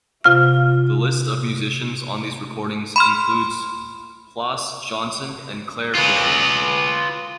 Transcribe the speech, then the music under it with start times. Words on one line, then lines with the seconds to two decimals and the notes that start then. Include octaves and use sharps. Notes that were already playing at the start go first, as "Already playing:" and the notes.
The list of musicians on these recordings includes Plas Johnson and Clare Fischer.
0.24 C3 F4 F5 F6
2.96 B5 C6 F6
5.95 F4 B4